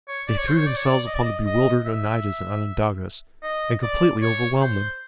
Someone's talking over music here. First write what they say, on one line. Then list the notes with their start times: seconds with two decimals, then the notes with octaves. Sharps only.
They threw themselves upon the bewildered Oneidas and Onondagas and completely overwhelmed them.
0.08 C#5
0.28 D5
0.38 C#5
0.48 C5
0.57 C#5
0.67 D5
0.77 C#5
0.86 D5
1.07 D#5
1.15 D5
1.22 D#5
1.46 D#5
1.85 E5
3.43 D#5
3.83 D5
4.22 C#5
4.62 C5